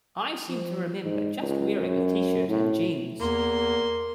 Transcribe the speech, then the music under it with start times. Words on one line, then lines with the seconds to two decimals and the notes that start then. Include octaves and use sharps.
I seem to remember just wearing a t-shirt and jeans.
0.49 F3
1.05 G#2
1.42 C#2
1.77 F#2
2.49 A2
3.19 E2 A#3 C6